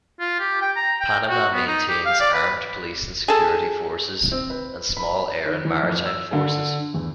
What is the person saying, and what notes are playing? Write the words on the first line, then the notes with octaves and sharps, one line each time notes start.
Panama maintains armed police and security forces, and small air and maritime forces.
F4
G4
G5
A#5
G5
F#4
B3
D#4
G4
F5
D5
B4
G#4 A4
C4
B4
B5
D#3
E3
F2
E6
D3
E2